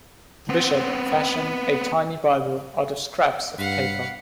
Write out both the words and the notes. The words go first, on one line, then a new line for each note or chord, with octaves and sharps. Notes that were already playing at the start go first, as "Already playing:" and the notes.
The bishop fashioned a tiny Bible out of scraps of paper.
B3 C4
G2 B4 F5 F#5